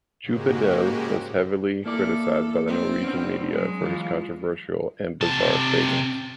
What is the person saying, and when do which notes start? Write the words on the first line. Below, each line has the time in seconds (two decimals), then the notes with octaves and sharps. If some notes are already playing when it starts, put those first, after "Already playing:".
Djupedal was heavily criticised by the Norwegian media for his controversial and bizarre statements.
0.23 G#2 C#3 G#3 A#3 F#4 G4
1.86 A#3 E4 A4 D5
2.67 C4
3.03 B3 C#4 D4
3.50 F#3 G#3
3.81 E3 F4
5.21 C3 A5